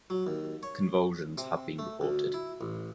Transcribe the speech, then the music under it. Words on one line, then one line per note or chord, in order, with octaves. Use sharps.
Convulsions have been reported.
F#3
D#2
C#5
C3
A3
D2
E4
A1